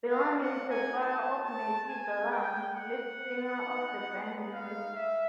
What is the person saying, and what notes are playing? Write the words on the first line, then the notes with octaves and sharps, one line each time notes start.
Bellamy is the father of Matthew Bellamy, lead singer of the band Muse.
A#3 D#4 F#4 F5
F#5
G#5
A5
A5
G#5
G5
F#5
G#3 B3 D#4
F5
E5